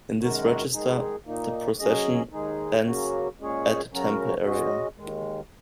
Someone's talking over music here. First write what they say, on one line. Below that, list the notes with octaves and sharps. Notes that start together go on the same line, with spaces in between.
In this register, the procession ends at the temple area.
F#2 D#3 G#3 F#4 A#4
D#3 G#3 D#4 G#4
A#2 A#3 D#4
F#3 C#4 G#4 D#5
D#2 D#3 G#3 D#4 G#4
C#3 F#3 A#3 C#4 F#4
A#2 G#3 C#4 G#4 C#5
C#3 F#3 C#4 F#4 A#4
G#3 C#4 F#4 D#5
D#2 D#3 G#3